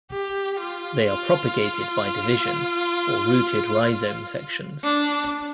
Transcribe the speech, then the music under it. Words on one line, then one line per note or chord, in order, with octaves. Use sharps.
They are propagated by division or rooted rhizome sections.
G4
F4
F4
D4